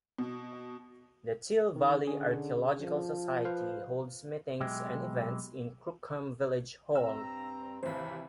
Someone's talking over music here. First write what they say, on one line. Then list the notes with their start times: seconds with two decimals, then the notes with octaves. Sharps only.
The Till Valley Archaeological Society holds meetings and events in Crookham Village Hall.
0.18 B2
1.76 D#3
2.07 D3 C#4 G#4
2.81 F3
3.45 B4 C5 F5
4.60 B1 B2 G#3 G4 E5
6.95 G2 C4 A#5 E6
7.83 G#1 D#2 C3 E3 C5 E5 B5